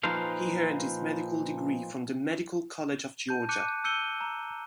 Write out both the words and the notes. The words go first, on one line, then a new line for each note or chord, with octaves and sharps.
He earned his medical degree from the Medical College of Georgia.
A#2 F3 D#4 B4 C5 F5
A5 G6
A5 D6 F#6 G6 C#7 D#7
E6 G6 C#7 D#7 G7
A#5